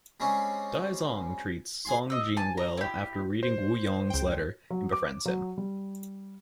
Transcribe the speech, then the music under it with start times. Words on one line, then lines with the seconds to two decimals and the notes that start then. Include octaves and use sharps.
Dai Zong treats Song Jiang well after reading Wu Yong's letter and befriends him.
0.20 G3 G#3 C4 C#4
1.85 G#4 G#5 C6
2.10 D#5 E6
2.37 G#5 A5
2.57 A#5
2.77 E4 G4
3.43 C5
4.10 C#2 G5
4.71 F#3
4.92 D6
5.26 F#3
5.58 G3